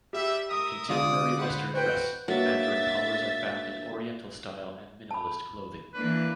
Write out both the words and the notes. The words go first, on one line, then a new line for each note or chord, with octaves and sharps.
In contemporary Western dress, mandarin collars are found in oriental-style and minimalist clothing.
G3 G4 E5
A#4 E5 D#6
D3 G#3 F4 D5 D#6
B4 C5 F#5
F#4 B4 C5 G5
F#3 A#3 D4 E5 A6
A5 B5
E3 A#3 D4 B4